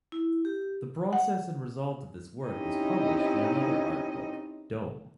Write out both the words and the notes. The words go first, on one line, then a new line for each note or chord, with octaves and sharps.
The process and result of this work was published in another art book, "Dome".
E4
G4
F#5
C4 C#4 D#4 E4 G4 D#5